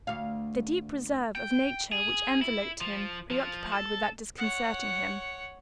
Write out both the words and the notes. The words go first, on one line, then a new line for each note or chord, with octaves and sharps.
The deep reserve of nature which enveloped him preoccupied without disconcerting him.
D2 F5
G5
G#4
E4
F3
F3
A4
C#5 F#5